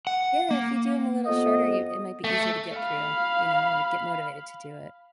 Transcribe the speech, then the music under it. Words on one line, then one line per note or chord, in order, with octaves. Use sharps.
Yeah, if you do 'em a little shorter, you it might be easier to get through, you know, or get motivated to do it,
F#5
A#3
F2 B3 D#5
A3
F5 B5